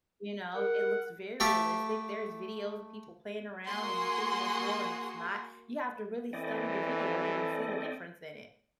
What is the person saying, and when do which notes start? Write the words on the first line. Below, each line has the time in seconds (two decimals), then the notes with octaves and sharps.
You know, it looks very realistic. There is videos of people playing around and you thinking it's real and it's not. You have to really study the video to even see the difference in it.
0.54 A#4 F#5
1.40 A3 G4 A4 E5 F5
3.66 A#3 F#4 G#4 C6
6.33 E3 C4 A4 D5 D#5